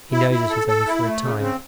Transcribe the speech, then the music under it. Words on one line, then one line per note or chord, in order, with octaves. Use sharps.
He knows it is only for a time.
E4
E4
A4
A4
E4
A3
C#3
C4